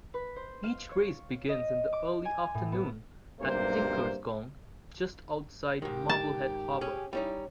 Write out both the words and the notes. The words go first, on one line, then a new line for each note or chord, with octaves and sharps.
Each race begins in the early afternoon at "Tinkers Gong", just outside Marblehead Harbor.
B4
C5
F5
C#5
D#5
D6
G#5
A2
B3
B1 G2 C3 A#3 C5
G#2 D#3 G4
A5
C#4 G#4
G3 C#4 D#4 E4